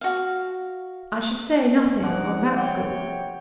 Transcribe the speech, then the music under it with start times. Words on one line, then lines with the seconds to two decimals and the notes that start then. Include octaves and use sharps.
"I should say nothing,--on that score."
0.01 F#4 F5
2.03 F3 D#4 D5 F#5
2.57 C3 C#5 F#5 G5